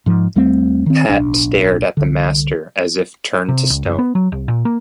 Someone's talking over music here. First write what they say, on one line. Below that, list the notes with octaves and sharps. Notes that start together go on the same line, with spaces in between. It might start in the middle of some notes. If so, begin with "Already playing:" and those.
Pat stared at the master as if turned to stone.
G#2 F3
D#2 G3 A3 C4
D#3 C4
D1 B1 D4
C2 D3
C3
C#2
F#1
B3
F#3
C2
A#2
A#3